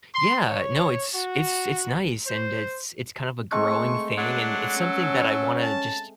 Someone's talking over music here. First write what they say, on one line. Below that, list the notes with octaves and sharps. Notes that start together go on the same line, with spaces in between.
Yeah, uh, no, it's it's it's nice, and it's it's kind of a growing thing, and it's something that I wanna just
C6
C#5
F#4
C5
G#3 A3 C4 C#6
F#3 D4
C#4 A4
A5